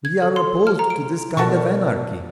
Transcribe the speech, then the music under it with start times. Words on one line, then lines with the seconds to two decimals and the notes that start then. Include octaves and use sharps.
"We are opposed to this kind of anarchy...."
0.05 G#6
0.22 A4
0.36 C6
0.67 F6
0.79 A#5
0.90 D7
1.37 B2 D3 F#4 A4 A#4 C#6